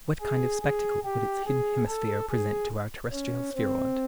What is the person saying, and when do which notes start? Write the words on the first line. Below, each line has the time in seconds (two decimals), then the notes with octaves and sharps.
What kind of spectacle would its hidden hemisphere present to our terrestrial spheroid?
0.20 G#4
0.62 G#4
1.04 G4
1.46 G#4
1.88 A4
2.30 G#4
3.12 C#4
3.56 C4